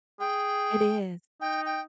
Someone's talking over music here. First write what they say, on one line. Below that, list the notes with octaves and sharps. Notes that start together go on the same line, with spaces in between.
It is.
G#4 G5
D#4 G5
G5